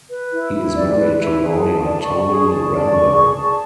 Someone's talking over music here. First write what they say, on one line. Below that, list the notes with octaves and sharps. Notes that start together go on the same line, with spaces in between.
He is married to lawyer Toni Rembe.
B4
E4
E4
D5
B4
E4
G#4
A5
D5
C#6
G#4
A5
D5
C#6
G#4
A5